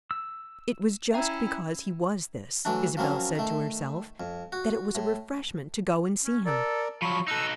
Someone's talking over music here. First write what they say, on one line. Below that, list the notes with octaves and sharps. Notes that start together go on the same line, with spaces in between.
It was just because he was this, Isabel said to herself, that it was a refreshment to go and see him.
E6
C#4 E4 E5 G5 A#5
E3 F#3 A3 D4
F3 F#3 A#3 C4 C#4
D#3 A3
F2
F#4
A2
C#4
A4 A#4 D5
F3 F#3 B5 C#6
D#4 F#4 A4 E6